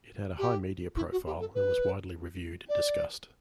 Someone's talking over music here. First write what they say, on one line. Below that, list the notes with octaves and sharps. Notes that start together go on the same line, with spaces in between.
It had a high media profile, and was widely reviewed and discussed.
G4
E4
F#4
G4
A4
B4
D5